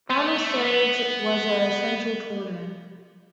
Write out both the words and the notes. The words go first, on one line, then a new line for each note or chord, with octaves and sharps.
Final stage was a central tournament.
B3
A3
B3
A3
B3